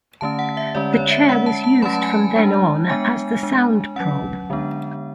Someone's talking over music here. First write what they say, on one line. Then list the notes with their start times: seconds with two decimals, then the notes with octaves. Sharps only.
The chair was used from then on as the sound prop.
0.21 D3 A3 C#4 A5
0.39 F#5
0.57 E5
0.75 D3 G#3 C#4 D5
0.93 C#5
1.11 E5
1.29 G#3 C#4 F#5
1.46 A5
1.64 A5
1.82 F#3 A3 C#4 B5
1.93 A5
2.03 G#5
2.13 A5
2.36 G#3 D4
2.89 G#3 B3 D4 G#5
3.43 G#3 D4
3.96 F#3 C#4 F#5
4.50 D3 G#3 B3 D4